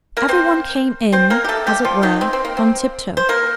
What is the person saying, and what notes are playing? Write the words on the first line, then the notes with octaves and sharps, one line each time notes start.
Every one came in, as it were, on tiptoe.
A#3 A#4
C4 C5
C4 C5
A#3 A#4
G4
A3 A4
G3 G4
F3 F4
D#3 D#4
C4
C4
A#3
C4
C5
A#3 A#4